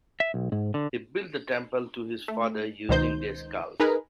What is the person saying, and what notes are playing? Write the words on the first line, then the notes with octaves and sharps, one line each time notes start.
He built a temple to his father using their skulls.
E5
B1
G#2
D3
A3
C#2 B2 D#3 D#4 C5 G6
D#4 G#4 A#4 B4